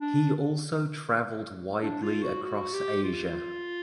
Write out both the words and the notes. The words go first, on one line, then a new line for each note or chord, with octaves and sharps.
He also traveled widely across Asia.
D4
D4
F4
F#4
F#4
G4
F4
F4